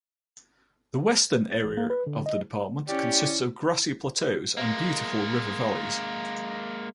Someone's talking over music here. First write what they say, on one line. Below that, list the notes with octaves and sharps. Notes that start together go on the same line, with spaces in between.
The western area of the department consists of grassy plateaus and beautiful river valleys.
A6
A1
A#3
B4
D3
D#5
C#4 E4 G4 D5
G#3 A#3